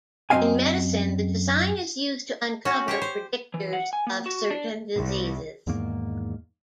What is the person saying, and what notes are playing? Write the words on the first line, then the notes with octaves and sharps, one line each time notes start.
In medicine, the design is used to uncover predictors of certain diseases.
F#2 D#3 C4 D#5 F5 G#5
C#4 F#4
G4 C5 C#5
C5
E3
F#5
G#5
A#3
F#4
D4
C2
E2 G#2 D#3 A#3